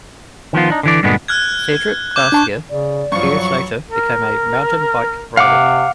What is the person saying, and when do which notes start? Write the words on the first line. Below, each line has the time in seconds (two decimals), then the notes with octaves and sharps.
Cedric Gracia, years later, became a mountain bike rider.
0.53 D#3 F3 B3 F4
0.70 D4 D#4
0.83 D3 E3 D5
1.03 G2 A#2 D3 G#3 B3
1.28 F6 F#6 G#6
2.16 D6 G6
2.32 D4 A5 C#6
2.69 C#3 D5
3.12 G2 F3 F#3 C#6
3.91 A#4
5.37 C3 F5 F#5 D6